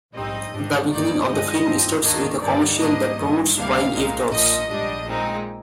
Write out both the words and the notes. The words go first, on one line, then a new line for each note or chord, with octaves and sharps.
The beginning of the film starts with a commercial that promotes buying Eve dolls.
A#1 G#2 G3 C4 D#4 D#5
G#1 G#2 G3 D4
G2 D#3 A#3 D#4 D5
G2 D3 F3 G#3 C4 D#5
G#1 G2 F3 C4
D#2 D#3 A#3 D4 D#5
G2 D3 G3 A#3 D#4 D5
G#2 G3 A#3 D4 D#5
G1 G2 D#3
D2 C3 G3 A#3 D4 F5
C2 A#2 G#3 D#4
A#1 A#2 F3 D#5
A#1 G#2 G3 D4
A#2 G#3 C4 D#4